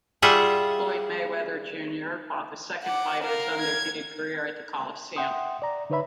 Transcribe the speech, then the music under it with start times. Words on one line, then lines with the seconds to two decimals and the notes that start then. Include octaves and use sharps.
Floyd Mayweather, Junior fought the second fight of his undefeated career at the coliseum.
0.22 G3 F4 G#4 E5 F#5
2.84 F#5 D6
3.23 A#4 F5
3.61 G#6
5.16 E5 F#5 G5 C6 D#6
5.62 D5 A#5
5.90 D3 D#4 B4 C#5 E5 B5